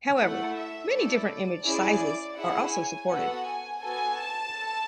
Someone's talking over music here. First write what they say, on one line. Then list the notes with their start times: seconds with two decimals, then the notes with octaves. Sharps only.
However, many different image sizes are also supported.
0.19 A3 E4 A4 F#5
0.55 E5
0.91 A3 E4 A4 D5
1.64 C#4 E4 G#4 D5
2.01 D5
2.37 C#4 E4 G#4 F#5
2.73 G#5
3.10 B3 F#4 A4 F#5
3.47 G#5
3.83 B3 F#4 A4 G#5
4.19 A5
4.55 A4